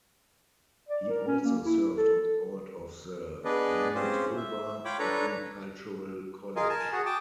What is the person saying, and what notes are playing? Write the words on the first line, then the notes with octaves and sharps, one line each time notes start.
He also served on the board of the Manitoba Agricultural College.
D5
A#4
C#4
A#3
E4
A4
B3 D4 G#4 B4 D5 D#5
C4 C#4 F4 G4 G#4 C5
E5
F4 C#5 G5 B5 D6
D4 A4 B4 C#5 A#5
F4 G#4 A#4 D#5
A#4 G#5 A5
F#4 G#4
G5 A5 D6 D#6